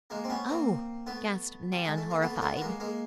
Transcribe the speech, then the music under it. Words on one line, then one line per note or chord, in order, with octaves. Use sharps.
"Oh!" gasped Nan, horrified.
G#3 A#3
C4
B3 C#4
A#3 C4
A3 B3
G3
G#3
A3
A#3
A3 B3
A#3
A3 B3
B3
G#3 A#3
G#3 A#3